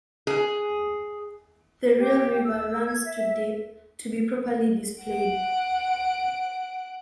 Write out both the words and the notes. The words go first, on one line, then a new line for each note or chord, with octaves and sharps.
The real river runs too deep to be properly displayed.
G#4
G4
E6
G#6
E5
F#5 D7